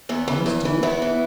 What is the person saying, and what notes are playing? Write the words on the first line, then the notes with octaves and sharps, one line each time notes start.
Honest, to boot.
E2 B3
E3
E2
E3
E2 B3 E4
E3